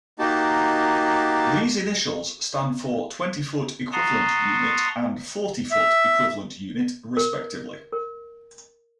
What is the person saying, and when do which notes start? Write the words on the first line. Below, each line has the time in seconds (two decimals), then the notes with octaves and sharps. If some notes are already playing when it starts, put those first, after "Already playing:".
These initials stand for "twenty-foot equivalent unit," and "forty-foot equivalent unit," respectively.
0.19 A#3 D#4 F#4 G4 A5
3.92 F#5 A5 A#5 C6 C#6 D#6
5.71 E5
7.17 A#4
7.92 A#4